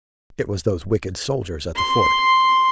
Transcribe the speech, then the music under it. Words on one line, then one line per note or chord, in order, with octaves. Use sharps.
It was those wicked soldiers at the fort!
C6